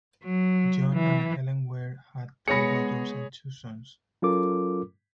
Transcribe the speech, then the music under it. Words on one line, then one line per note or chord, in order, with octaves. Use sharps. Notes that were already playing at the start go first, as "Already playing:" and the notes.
John and Helen Ware had three daughters and two sons.
F#3
E3
G#3 B3 G#4 C#5 B5 A#6 C#7
F#3 C#4 F4 A4 A#4 D6